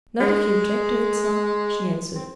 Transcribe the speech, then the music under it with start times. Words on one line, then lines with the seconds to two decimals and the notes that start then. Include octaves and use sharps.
"Not if you object to it, sir," she answered.
0.20 G#3
2.15 C4